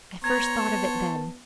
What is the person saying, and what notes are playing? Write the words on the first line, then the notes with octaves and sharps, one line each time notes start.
I first thought of it then.
B3 C5 C#5 A#5 G#6
A5